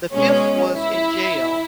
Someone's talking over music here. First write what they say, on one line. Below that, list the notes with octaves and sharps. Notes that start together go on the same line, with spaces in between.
The fifth was in jail.
B2 G#3 C#4
E4